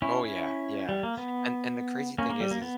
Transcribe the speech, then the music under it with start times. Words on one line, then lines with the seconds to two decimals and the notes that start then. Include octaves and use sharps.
Oh yeah, yeah. And and the crazy thing is is,
0.02 C#4 E4
0.24 C#4 E4
0.89 G3
1.03 A#3
1.17 B3
2.18 A#3 C#4
2.30 A#3
2.40 G3
2.51 A#3
2.62 B3